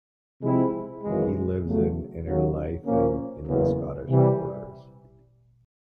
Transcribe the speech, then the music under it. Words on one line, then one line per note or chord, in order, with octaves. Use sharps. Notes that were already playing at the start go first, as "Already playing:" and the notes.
He lives in Innerleithen in the Scottish Borders.
C3 F3 G#3 C4 E4
G#1 F#2 C#3 E3 G#3
E2 C#3 F#3 A3
D#2 C#3 F#3 A#3
A#2 F3 A#3 C#4
F#1 E2 C#3
C3 E3 G3